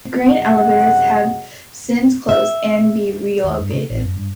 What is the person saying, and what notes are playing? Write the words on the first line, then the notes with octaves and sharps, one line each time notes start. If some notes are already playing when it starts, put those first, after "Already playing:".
The grain elevators have since closed and been relocated.
C2 F#2 C#3 G#3 F#4 F#5
E5
D#2
G2
C#3
A1
F#2
G2